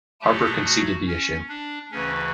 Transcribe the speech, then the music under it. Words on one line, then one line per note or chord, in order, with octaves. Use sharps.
Harper conceded the issue.
B2 F#3 A3 G4
F#4
C#4
D4
D2 C#3 E3 C#4